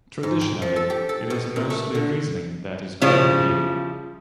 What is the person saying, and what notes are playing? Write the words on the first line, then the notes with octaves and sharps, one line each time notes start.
Traditionally, it is mostly Riesling that is grown here.
G#2
G5
F3
A4
G4
A4
B2
A#2
A3
D3
C#3 F3 G3 E4